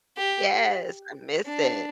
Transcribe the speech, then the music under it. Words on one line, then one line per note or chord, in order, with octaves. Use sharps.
Yes, I miss it.
G4
D4